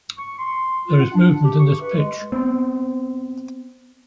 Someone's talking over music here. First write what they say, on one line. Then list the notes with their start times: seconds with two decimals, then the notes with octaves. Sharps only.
There is movement in this pitch.
0.18 C#6
0.38 C6
0.88 F4
1.00 F#5
1.14 D4
1.44 G4
1.59 C#6
1.81 B4
1.96 G#3
2.32 B3 C4